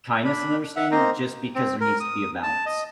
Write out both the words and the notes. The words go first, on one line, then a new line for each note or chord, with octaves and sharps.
kindness and understanding just because there needs to be a balance.
D4 B5
E5 F#5
A#3 C4 D#4 C5 A#5
C4
A#4
D#6
A5
D#5